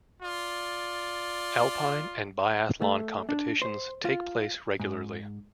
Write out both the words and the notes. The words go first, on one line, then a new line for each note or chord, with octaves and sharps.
Alpine and biathlon competitions take place regularly.
F4 D5
A3
D4
C5
F4
G#2